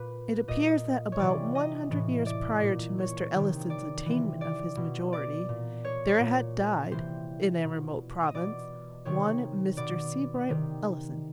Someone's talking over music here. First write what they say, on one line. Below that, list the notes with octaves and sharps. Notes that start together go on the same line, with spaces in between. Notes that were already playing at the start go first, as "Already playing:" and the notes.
It appears that about one hundred years prior to Mr. Ellison's attainment of his majority, there had died, in a remote province, one Mr. Seabright Ellison.
Already playing: A#2 B4
A#2 D#5
C#5
C3 E3 D5
D#5
A2 E3
D5
A#2
C#5
C3 D#3
D5
C3 E3
D5
B2
D5
A#2
C#5
A#2
C3 E3 C5
B2
D#5
B2 D5
C3 D#3 C#5
B2 D5
C3 D#3